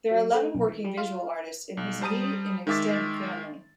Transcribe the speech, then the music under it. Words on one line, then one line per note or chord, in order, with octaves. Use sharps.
There are eleven working visual artists in his immediate and extended family.
F#3
A3
B1
E3
G3
F4
B1
G3 C5 A5 A#5 D#6 D#7
D#3 G#3 E5 D6 A6